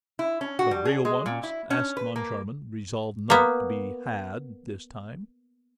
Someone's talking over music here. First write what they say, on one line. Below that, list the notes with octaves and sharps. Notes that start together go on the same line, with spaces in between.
"The real ones?" asked Moncharmin, resolved not to be "had" this time.
E4
C#4
F#4
G3
G#4
G#3
A#2
E4
C#4
B4
A#3
A#3 B3